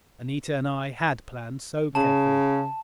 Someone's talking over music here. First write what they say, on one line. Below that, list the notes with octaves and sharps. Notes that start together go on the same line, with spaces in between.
Anita and I had planned so carefully.
C#3 A5